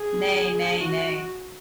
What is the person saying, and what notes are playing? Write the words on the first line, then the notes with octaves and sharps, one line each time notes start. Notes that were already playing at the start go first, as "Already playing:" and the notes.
Ne, ne, ne.
Already playing: G#4
F#4